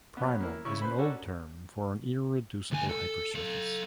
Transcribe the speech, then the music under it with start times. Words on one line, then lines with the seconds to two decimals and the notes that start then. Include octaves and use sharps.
"Primal" is an old term for an irreducible hypersurface.
0.17 F#3 B3
0.40 A#3 E4
0.65 C#3 C#4 E4 C#6
0.81 B4 C5 B5
0.98 C#4 D4 F#4 A4 A#4
2.71 D2 G#5
2.89 A4
3.35 F#3 A4